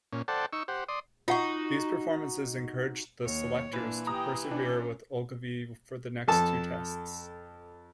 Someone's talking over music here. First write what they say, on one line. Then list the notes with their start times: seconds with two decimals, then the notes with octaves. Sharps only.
These performances encouraged the selectors to persevere with Ogilvie for the next two tests.
0.13 A#2 C#4
0.28 A4 C5 D5 F#5 G5 A5
0.53 D#4 C#6 E6
0.68 G4 C5 F#5
0.89 D5 C6 D#6
1.28 D#4 F4 F#4 F#5
3.23 D#2 C#5
3.73 A#2 E3 D4
4.07 G4 G5 A#5 D#6
4.51 C#4 D4
6.28 F2 A4 A5